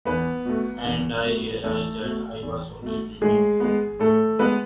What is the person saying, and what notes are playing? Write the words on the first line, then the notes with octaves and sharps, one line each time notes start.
And I realize that I was only dreaming.
E2 B3 B4
B2 A3
E2
B2 A3
E2 A3 A4
B2 A3
E2
B2 A3
A2 G#3 G#4
G#3 B3
A2 A3 A4
G#3 B3 B4